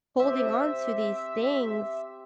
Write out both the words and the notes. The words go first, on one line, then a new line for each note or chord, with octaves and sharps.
holding onto these things
C4 G4 E5